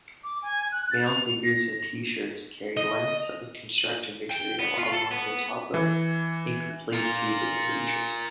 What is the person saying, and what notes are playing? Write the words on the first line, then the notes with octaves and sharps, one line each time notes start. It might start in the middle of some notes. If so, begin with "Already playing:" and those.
Male figures in Tshirts carry lengths of construction material along the top of incomplete seated bleachers.
D6
G#5
F#6
A6
F7
A#6
D#5
G5
B3
F4
A4
B3
E3
F4 A#4